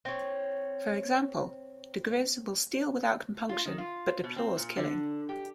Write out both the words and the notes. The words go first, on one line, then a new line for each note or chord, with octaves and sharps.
For example, diGriz will steal without compunction, but deplores killing.
C4 C#5
F4
D#3
F4
B2
C4
A#2
D3
G4